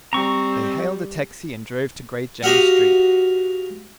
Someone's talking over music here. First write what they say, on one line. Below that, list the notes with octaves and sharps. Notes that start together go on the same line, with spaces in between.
They hailed a taxi and drove to Great James Street.
G3 C4 A#5 C#6
F#4 G4 D#5 F5 F#5